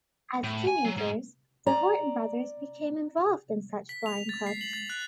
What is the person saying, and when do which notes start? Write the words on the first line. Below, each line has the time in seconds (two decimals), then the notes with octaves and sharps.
As teenagers, the Horten brothers became involved in such flying clubs.
0.44 A2
0.67 G#5
0.85 F#3
0.97 G#2
1.67 D5 A#5
3.89 B6
4.06 F7
4.29 A6
4.46 C7
4.61 F#7
4.73 A6
4.90 F#6